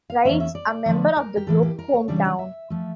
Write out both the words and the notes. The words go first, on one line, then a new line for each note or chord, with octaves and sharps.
Wright's, a member of the group, hometown.
F5
E2 E3 A#3 C#4 E5
E5
D5
D3 F3 A3
A#4
G4
A2 E3 A#3 A4
G4
A#4
C#5
C#3 E3 G3 D4 D5
C#5
D5
E5
F3 A3